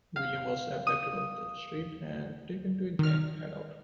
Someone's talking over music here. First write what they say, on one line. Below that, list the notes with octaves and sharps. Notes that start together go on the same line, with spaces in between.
William was abducted off the street and taken to a gang hideout.
F5
D#6
D#3 F6